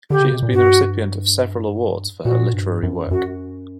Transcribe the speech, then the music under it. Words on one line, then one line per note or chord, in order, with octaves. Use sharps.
She has been the recipient of several awards for her literary work.
D3 G4
C#3
B2
A#2
G2 F#4
A#2 F#4
G2
F#2
F#2 F#4